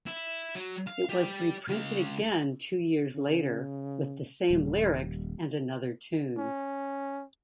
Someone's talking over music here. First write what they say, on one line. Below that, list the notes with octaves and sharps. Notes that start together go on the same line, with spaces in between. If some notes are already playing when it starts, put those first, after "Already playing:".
It was reprinted again two years later with the same lyrics and another tune.
E4
F#3
F5
G4 D5
C#2 F5
C#3
D#1 G3
C#4